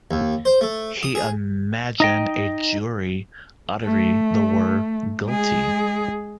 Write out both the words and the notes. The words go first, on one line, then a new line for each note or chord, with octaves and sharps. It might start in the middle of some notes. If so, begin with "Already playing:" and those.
He imagined a jury uttering the word "Guilty."
D#2
C5
A3
D#6
G#4
D#4 D#5 G5
A3
G#3 G#4